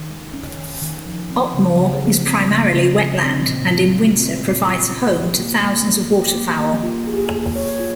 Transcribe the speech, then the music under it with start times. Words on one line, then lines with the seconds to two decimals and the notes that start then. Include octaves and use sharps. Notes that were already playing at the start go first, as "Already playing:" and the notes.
Otmoor is primarily wetland and in winter provides a home to thousands of waterfowl.
Already playing: D#3
0.10 G#3
0.34 C#4
0.58 D#3
0.82 D#3
1.06 F3
1.30 C4
1.54 C#3
1.78 C#3
2.03 F3
2.26 C4
2.51 C#3
2.75 C#3
2.99 G#3
3.23 C4
3.47 A#2
3.70 F4
3.95 G#3
4.19 C4
4.43 A#2
4.67 F4
4.91 C#4
5.15 G4
5.39 A#3
5.63 A#3
5.87 C#4
6.12 G4
6.35 A#3
6.59 A#3
6.83 F4
7.07 G#4
7.32 A#3
7.56 C#5
7.80 F4